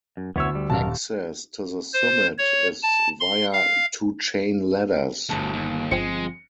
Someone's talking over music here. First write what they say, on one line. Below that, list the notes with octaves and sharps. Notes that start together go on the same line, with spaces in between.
Access to the summit is via two chain ladders.
F#2
D2 B3 E4 C#5 E6
G3
D#1 F#2 A#4 A5
C5
C#5
A5
C6
F5
G1 D2 B2 A5
D#2
G1 F3 G#3 C4 C#7